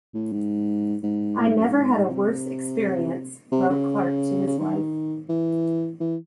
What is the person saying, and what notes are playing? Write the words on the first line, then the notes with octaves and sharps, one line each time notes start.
"I never had a worse experience" wrote Clark to his wife.
A2
G#2
G#2
A2
G#2
F#2
G#2
C3
C3
C#3
C#3
D#3
E3
E3